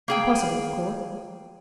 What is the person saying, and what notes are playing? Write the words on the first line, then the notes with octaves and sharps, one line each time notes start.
Impossible--of course.
A#3 G#4 G5